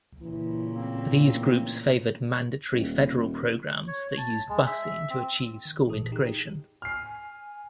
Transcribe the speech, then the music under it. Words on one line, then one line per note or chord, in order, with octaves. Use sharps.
These groups favored mandatory federal programs that used busing to achieve school integration.
A#2 C#3 E3
A1 A#3 C4
D#1
C#5
A5
G#3
E5
C4
D#3
A1 A#2 E3 A4 D#6
D#4 G4 G#4 G5
G#5 F6 C7